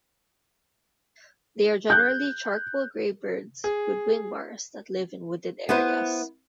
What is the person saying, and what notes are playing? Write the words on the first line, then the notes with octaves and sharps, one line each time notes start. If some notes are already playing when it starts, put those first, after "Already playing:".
They are generally charcoal-grey birds with wing bars that live in wooded areas.
F#6 G6
G#4
B3 E4 B4 C5